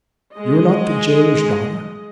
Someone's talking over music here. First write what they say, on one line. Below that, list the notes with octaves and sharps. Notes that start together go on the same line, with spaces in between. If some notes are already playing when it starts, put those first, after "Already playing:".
"You are not the gaoler's daughter?"
G#3 D#5